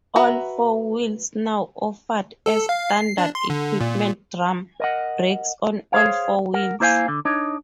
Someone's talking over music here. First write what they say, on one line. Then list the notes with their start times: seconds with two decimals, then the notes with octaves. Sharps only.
All four wheels now offered as standard equipment drum brakes on all four wheels.
0.16 F#4 B4 E5 A#5
2.46 A4
2.69 F5
2.90 C7
3.18 D4
3.35 C6
3.50 D3
3.81 A#2
4.80 A#4 D#5 F#5
5.92 G#4 C5 C#5 F5
6.54 A#4 F#5
6.80 A#3 E4 C5 D#5 F5 G#5
7.08 D3
7.25 D4 D#4 C#5 D#5